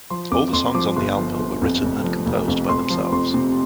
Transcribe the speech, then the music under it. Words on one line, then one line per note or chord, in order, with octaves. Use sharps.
All the songs on the album were written and composed by themselves.
F3 C6
F2 D6
F2 C6
F3 D6
G1 C6
F3
G1
F2
F1
F3
F1
F2
F2 C6
F3
F2 C6
C3